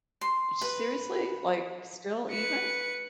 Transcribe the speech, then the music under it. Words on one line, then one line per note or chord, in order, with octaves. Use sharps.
seriously? Like, still even?
C6
B4
B4 C#7